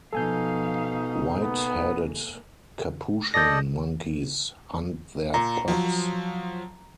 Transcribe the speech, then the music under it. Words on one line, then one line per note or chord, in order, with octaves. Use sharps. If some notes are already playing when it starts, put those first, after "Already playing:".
White-headed capuchin monkeys hunt their pups.
B2 F3 D#4 A4 F5 G#5 G6
A#3 B3
A4 D5 D#5 G6 A#6
A#2 A#5
F3 F#3